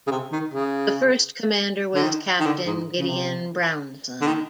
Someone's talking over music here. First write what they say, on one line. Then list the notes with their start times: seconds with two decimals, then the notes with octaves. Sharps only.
The first commander was Captain Gideon Brownson.
0.07 C#3
0.11 C3
0.32 D#3
0.54 C#3
1.95 D3
2.03 D#3
2.40 D#3
2.46 D3
2.67 G#2
2.99 C#3
3.09 C3
4.21 D3
4.27 D#3